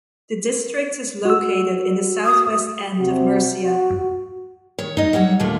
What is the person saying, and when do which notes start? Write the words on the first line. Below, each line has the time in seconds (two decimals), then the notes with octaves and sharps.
The district is located in the southwest end of Murcia.
1.25 F#4 E6
2.26 D#6
2.98 C3 F#4
3.63 F#4
4.79 D#3 C#5
4.97 D#4 D#5
5.13 F#3 G3 C#5 F#5
5.40 D#2 A#2 D3 A3 D4 F4